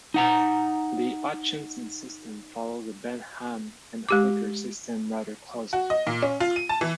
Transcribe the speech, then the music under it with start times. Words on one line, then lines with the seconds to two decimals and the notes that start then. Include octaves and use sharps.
The Hutchinson system follows the Bentham and Hooker system rather closely.
0.14 D#4 F#5 A#5
4.09 G#3 G4 D6
5.73 F#4
5.90 D#5
6.07 A#2
6.22 C#4
6.40 F4
6.56 D#7
6.69 A5
6.81 E3